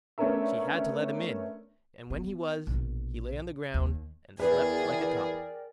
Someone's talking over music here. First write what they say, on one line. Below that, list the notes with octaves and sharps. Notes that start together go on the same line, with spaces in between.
She had to let him in, and when he was, he lay on the ground and slept like a top.
A3 B3 C#4 D4 A#4 E5
B3
A#1 B2
D#2
E2 G#4 A#4 B4 D5 G5